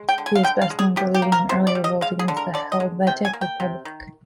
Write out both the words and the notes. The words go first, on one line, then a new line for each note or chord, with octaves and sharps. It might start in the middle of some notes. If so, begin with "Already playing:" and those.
He is best known for leading an early revolt against the Helvetic Republic.
Already playing: G#3
G5
D3
G#5
F5
D3 G5
F5
G#3
G#4
C3 G4
G4
A#3
A#4
C3 C5
D5
G3
D#5
G#3 F5
G#4
D3
A#4
D3 D5
D#5
G#3
C3 G5
G#5
A#3
G5
C3
D#3